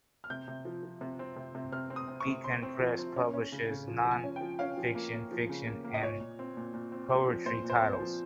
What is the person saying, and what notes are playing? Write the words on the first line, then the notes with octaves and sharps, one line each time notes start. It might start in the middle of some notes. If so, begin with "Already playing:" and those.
Beacon Press publishes non-fiction, fiction, and poetry titles.
F6
C3 G6
C3
F3
F3
C3
C4
C3
C3
C3 F6
C4
D#6
C4
C#6
C3
C4 C6
C4
F3
C4
C#4
C#4
C#3
C#3
F3
F3
G#5
C#4
G5
F3
C#4 F5
F3
A#3
A#3
F3
C#3
A#3
A#3
D#5
A#2 C#5
A#2
C4
A#2
A#2
C4
C4
F3
A#2 C5
A#2
C5
C4
C5
F3